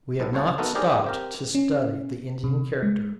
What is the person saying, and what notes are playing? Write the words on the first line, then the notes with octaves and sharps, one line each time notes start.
We had not stopped to study the Indian character.
B1 A2
C2 C5 C#5 F#5 A5
A3 B3 D#4 F#4 A4 A#4
D#4 G4 G#4 A#4 C5 D5
C4 G4 A#4
C#4
C3
G#3